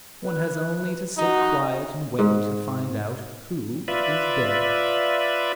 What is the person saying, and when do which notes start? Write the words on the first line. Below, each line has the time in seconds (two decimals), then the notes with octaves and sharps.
One has only to sit quiet and wait to find out who is dead.
0.22 B4
1.18 D#4 F#4
2.19 G#2
3.88 F4 B4 D5 E5